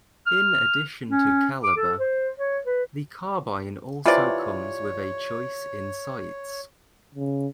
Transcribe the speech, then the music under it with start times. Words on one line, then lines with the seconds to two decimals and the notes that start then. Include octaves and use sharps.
In addition to caliber, the Carbine also comes with a choice in sights.
0.27 F6
1.11 C#4
1.64 D6
1.77 A4
1.99 C5
2.39 C#5
2.66 B4
4.06 C3 E3 F4 B4 C#5 D5
7.15 C#3